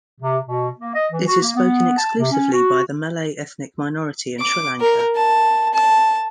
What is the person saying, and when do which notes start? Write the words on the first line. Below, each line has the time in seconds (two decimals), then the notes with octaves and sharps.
It is spoken exclusively by the Malay ethnic minority in Sri Lanka.
0.21 C3
0.47 B2
0.79 A#3
0.94 D#5
1.11 E3
1.27 F#4
1.42 A#3
1.55 B3
1.97 A5
2.18 C3
2.30 C#4
2.51 F#4
4.40 D6
4.81 A#4
5.15 A5
5.74 A5